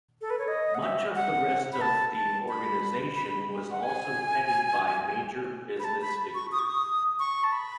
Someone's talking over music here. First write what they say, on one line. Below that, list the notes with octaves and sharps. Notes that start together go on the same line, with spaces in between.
Much of the rest of the organization was also headed by major business figures.
A4
B4
C#5
D#5
F#5
E5
F#5
B5
A5
A5
B5
B5
F#5
G#5
B5
A5
B5
C#6
D#6
C#6
D#6
C#6
A5
B5